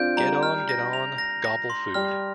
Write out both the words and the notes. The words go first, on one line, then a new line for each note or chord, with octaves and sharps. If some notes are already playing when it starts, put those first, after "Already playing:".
Get on, get on, gobble food!
Already playing: C4 D4 F4 G6 D7
G3 A#5
F6
A#6
F7
A#6
A#6
C6
G3 F6